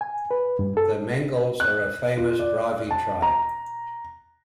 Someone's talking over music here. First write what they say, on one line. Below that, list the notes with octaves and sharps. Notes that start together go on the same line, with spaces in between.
The Mengals are a famous Brahvi tribe.
G#5
B4
G2
A4
F#6
F4
D5
A5
A#5